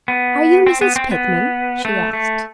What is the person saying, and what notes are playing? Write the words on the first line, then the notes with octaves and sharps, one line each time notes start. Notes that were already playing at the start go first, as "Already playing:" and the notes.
"Are you Mrs. Pitman?" she asked.
B3
C4
B3
C4
B3
A3
A3